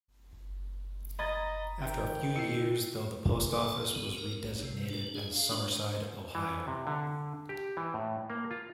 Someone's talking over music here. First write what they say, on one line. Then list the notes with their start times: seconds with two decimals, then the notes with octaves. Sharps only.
After a few years though the post office was redesignated as Summerside, Ohio.
1.19 D#5 A#5 B5 G#6 A6
1.82 F2 D#3 G5
2.36 E4 C7 C#7
3.52 A4
3.93 B3
4.18 A#4
4.42 A#1
4.63 C3
4.90 D4
5.15 G#4
5.33 F5
5.51 D4
6.35 E3
6.68 C3
6.87 D3
7.49 G4
7.77 E3
7.94 A2
8.30 A#3
8.51 F4